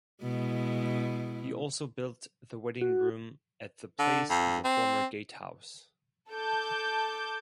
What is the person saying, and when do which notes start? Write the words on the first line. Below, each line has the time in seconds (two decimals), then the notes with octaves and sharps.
He also built the wedding room at the place of the former gatehouse.
0.23 B2 G#3 E4
2.81 F#4
3.99 D3
4.30 F2
4.64 C4
6.32 A4 A5 D6 G6